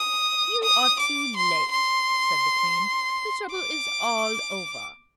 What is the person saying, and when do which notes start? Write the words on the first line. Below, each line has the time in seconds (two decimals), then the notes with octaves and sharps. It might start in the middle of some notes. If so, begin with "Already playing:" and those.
"You are too late," said the Queen; "the trouble is all over."
Already playing: D#6
0.63 D#6
0.99 D6
1.36 C6
1.71 C6
3.52 D6